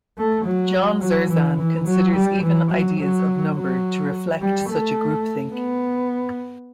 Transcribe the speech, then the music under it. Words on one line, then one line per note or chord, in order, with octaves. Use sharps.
John Zerzan considers even ideas of "number" to reflect such a groupthink.
A3
F#3
F#3
E3
E3
F#3
G3
E3
F#3
F#3
F#3
G3
A3
B3